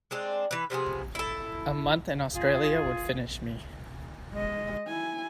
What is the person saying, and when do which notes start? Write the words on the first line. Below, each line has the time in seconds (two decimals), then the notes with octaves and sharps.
A month in Australia would finish me.
0.11 G#3 C4 D4
0.51 E3 B4
0.70 C3 F3 B3 G#4
1.15 E4 A4
2.34 F4 G#4
4.33 G#3 D#5
4.87 E4 G#5